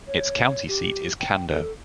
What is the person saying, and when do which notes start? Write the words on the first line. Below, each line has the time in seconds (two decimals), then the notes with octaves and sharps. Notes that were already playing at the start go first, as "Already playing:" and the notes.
Its county seat is Cando.
0.08 C#5
0.46 C#5
0.68 G4
1.20 G5
1.49 A4